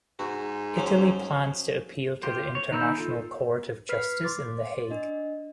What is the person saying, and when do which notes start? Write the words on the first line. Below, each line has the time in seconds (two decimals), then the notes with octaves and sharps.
Italy plans to appeal to the International Court of Justice in The Hague.
0.19 G#2 F#4
0.76 F3 F#3 C#4
2.23 F4 G4 C5
2.55 C#5
2.72 D#3 D#4 E4 E6 G6
2.98 F4 A4
3.89 B4 F6 B6 C7
4.24 C6 D6 A6
4.90 D4 D#5